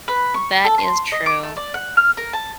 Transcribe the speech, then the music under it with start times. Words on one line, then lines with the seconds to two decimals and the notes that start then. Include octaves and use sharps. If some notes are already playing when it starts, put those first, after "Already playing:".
That is true,
0.08 B4
0.34 C#6
0.64 A4
0.78 C6
1.12 D#5
1.26 D6
1.43 A3
1.57 D5
1.74 F#5
1.97 F6
2.17 A#4
2.33 A5